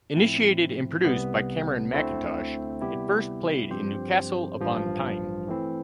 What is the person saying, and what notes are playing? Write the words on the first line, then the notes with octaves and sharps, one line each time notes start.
Initiated and produced by Cameron Mackintosh, it first played in Newcastle upon Tyne.
A2 F3 C4 E4
C2 C3 G3 B3
D2 D3 A3 C4 E4
C3 G3 B3 E4 G4
G2 F3 C4 G4 C5
A1 G2 F3
E3 A3 C4 E4